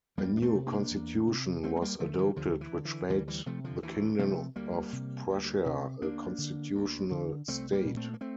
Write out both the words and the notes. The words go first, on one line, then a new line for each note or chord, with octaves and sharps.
A new constitution was adopted which made the kingdom of Prussia a constitutional state.
E2 G3 A#3
D4
A3 C4
C3
A#3 D4
E2
C3
D2 A3 C4
C4
G3 A#3
D3 F3 A3
F3
E3 G3
D2 D3 F3
E3
D3
E3
D2 E3 G3
E3 G3
C3 F3 A3
D3 F3
D2 E3
C3 F3 A3
D2 G3 A#3
C3
D2
C3
D2 A#3 D4
D3
D2
D3
C2 A3 C4
G3 A#3
A#2
A3 C4
A#3
A3 C4